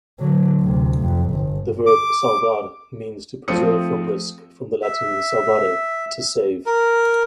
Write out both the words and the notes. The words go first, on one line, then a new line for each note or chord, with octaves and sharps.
The verb "salvar" means to preserve from risk, from the Latin "salvare", to save.
D3 F#3
D2 C3
F2
G1
D6
F3 A3 C4 D#6 C#7
E5
A#4